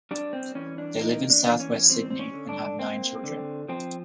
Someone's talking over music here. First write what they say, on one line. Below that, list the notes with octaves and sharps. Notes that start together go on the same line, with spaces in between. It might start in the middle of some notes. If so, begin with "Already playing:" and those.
They live in south-west Sydney and have nine children.
G3 D4
C4
E3 C#4
D4
A#3 D#4
D4
E3
C#4
G3 C4
C4
C#4
D3
D4
A#3 C4
D3
F3 C4